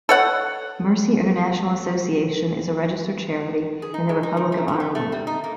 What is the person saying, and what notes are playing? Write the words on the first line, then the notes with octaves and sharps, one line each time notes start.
Mercy International Association is a registered charity in the Republic of Ireland.
A4 C#5 F#5
G#4
D#4
G#3
D#4
D#3
A3
B3
B3
A3
G3
D#4
A#3